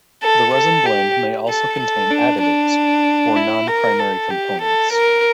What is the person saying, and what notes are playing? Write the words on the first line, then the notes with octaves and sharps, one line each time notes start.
The resin blend may also contain additives, or non-primary components.
A4
A4
G4
A4
A4
D4
D4
E4
A#4
A4
G4
A4
A#4